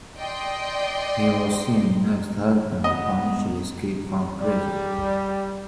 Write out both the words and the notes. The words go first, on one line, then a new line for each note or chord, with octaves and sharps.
He was seen next helping the Punisher escape from prison.
D5 D#5 G5 C6
B3 D#5
G3